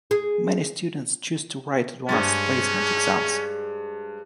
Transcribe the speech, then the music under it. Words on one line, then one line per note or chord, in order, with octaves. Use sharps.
Many students choose to write Advanced Placement exams.
G#4
G2 G#3 C#4 G#4 C5 A6